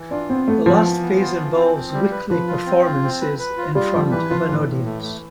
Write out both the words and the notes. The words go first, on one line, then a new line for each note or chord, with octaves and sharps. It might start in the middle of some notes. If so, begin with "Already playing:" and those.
The last phase involves weekly performances in front of an audience.
Already playing: E3
D4 F4
B3 C4
A3 B3
F3 B3
E3
B3
F4
E3
C4
C4
G3
B4
F3 B4
F4
C4
F4
C4
B4
B4
F4
G3 F4
F3 G3
E3 B4
F3 F4
A2 E3
A2
A3
A3